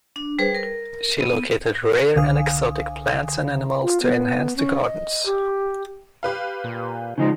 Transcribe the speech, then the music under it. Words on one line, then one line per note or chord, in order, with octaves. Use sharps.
She located rare and exotic plants and animals to enhance the gardens.
D4
G3 G#4 B4 C5
A#4
B3
C2 D3 F5 G#5 D#6
F4
B3
C#4
D#5
G4
G4 B4 F5
A#2
C#3 F3 G#3 D#4